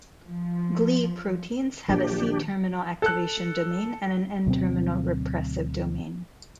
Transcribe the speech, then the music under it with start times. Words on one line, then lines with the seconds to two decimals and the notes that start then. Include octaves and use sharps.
Gli proteins have a C-terminal activation domain and an N-terminal repressive domain.
0.24 F3
1.88 A#1 D#3 F#3 D4 G4
3.02 A4 F#6
4.46 D2 B2 F#3 C4